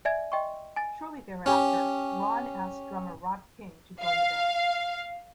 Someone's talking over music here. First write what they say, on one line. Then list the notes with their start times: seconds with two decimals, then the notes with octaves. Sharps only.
Shortly thereafter, Ron asked drummer Rob King to join the band.
0.05 D5 E5 G#5 G#6
0.32 D#5 G5 C6 C#6
0.76 G#5 A6
1.46 C#4 G4
4.02 F5